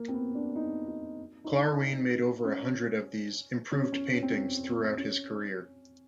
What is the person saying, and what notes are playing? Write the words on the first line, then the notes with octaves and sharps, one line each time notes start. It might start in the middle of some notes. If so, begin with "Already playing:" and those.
Klarwein made over a hundred of these "improved paintings" throughout his career.
Already playing: A#3
C4
B3
D4
D#4
D#4
D#4
D4
C#4
C#4
C#4
C#4
C4
C#4
C#4